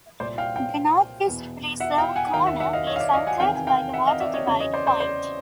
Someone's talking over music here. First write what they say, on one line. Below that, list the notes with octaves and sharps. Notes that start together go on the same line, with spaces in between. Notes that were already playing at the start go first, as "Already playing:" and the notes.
The northeast preserve corner is anchored by the water divide point.
C2 A#2 C5 D5
F5 G5
F5 G5
E2 B2
E5 F#5
F5 G5
F#5 G#5
G#5
D#2 D#3 F5 G5
E5 F#5
E5 F#5
D#5 F5
C#5 D#5
F5
D5 E5
D#5 F5
F#5 G#5
E2 C3 D#3 F5 G5
G#5
F5 G5
E5 F#5
D#5 F5
D5 E5
C#5 D#5
E2 C#3 E3 C#5 D#5
C#5 D#5
C5 D5
C5 D5
C5 D5